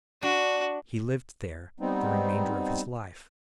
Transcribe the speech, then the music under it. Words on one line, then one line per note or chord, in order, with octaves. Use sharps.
He lived there the remainder of his life.
D4 F#4
G3 B3 C4 D#4